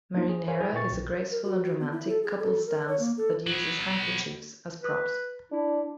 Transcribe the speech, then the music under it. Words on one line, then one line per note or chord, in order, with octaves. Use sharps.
Marinera is a graceful and romantic couple's dance that uses handkerchiefs as props.
F3 F#3 A#3 D4 D#4 F4
G#4
A#4 C5 C#5 F5 G#5
E4 G#4 B4 E5 G#5
A#2 A#4 G5 C#6 A6
B1
A#4
F#4
F#4
B3
E4
A4
G#4
A4
A#4
C#5
A#3
A4
F#3 B3
B4
D4 E4